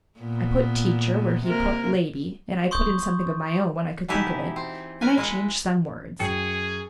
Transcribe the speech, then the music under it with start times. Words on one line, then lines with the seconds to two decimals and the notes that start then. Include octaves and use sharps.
I put "teacher" where he put "lady" and I put in something of my own when I could think of it and I changed some words.
0.19 A#2 B3
1.44 C3 A#3 A#4
2.71 C6 C#6 D#6 G6
4.08 B2 E3 D#4 E4 G4
4.56 C4
5.01 A#4 B4 G#5
5.17 G#3 E4 B4 D#5 F#5
6.20 F#2 G#4 G5 C#7